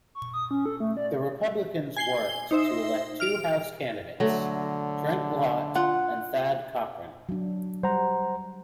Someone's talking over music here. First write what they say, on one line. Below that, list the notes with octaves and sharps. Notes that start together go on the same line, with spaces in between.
The Republicans worked to elect two House candidates, Trent Lott and Thad Cochran.
C#6
D#6
C#4
A4
A3
D5
G#5 C7 G7
D#4 C5 E5
F6 D7 F7
D3 F#3 A3
F4 F#5
F#3 D4
G3 C5 F#5 A#5